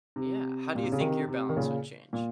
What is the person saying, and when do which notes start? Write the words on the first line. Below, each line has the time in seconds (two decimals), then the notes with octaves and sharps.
Yeah. How do you think your balance would change?
0.16 C3
0.75 A#2
0.83 C3
0.92 C#3
1.00 C3 D#3
1.28 C3
1.49 D#3
1.57 A#2 C#3
2.13 A#2